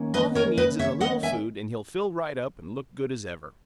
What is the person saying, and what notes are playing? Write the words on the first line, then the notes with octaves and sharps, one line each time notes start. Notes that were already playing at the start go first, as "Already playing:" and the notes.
All he needs is a little food and he'll fill right up and look good as ever.
Already playing: D#3 A#3 C#4
B4 D#5
A#4 C#5
B4 D#5
C#5 E5
D#5 F#5
E5 G#5